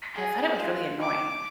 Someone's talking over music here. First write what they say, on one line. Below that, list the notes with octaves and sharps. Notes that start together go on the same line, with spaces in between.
I I thought it was really annoying,
G#4
F4
D6